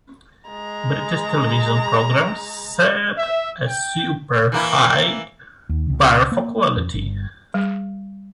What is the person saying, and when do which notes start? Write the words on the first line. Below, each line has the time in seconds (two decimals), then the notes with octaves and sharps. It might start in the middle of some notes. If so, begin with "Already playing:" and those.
British television programs set a super high bar for quality.
0.50 G#3 A#5
3.18 E5
3.67 G5
4.52 E3 A#3 E4
5.69 D#2
5.90 C#2
6.32 A#3
6.76 F2
6.94 G1
7.54 G3